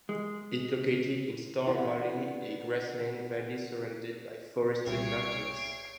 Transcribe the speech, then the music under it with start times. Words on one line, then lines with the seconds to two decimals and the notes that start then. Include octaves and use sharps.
It located in Star Valley, a grassland valley surrounded by forested mountains.
0.09 G#3
1.67 D3 B3 E4
4.87 C2 C#5 G#6 C7 D7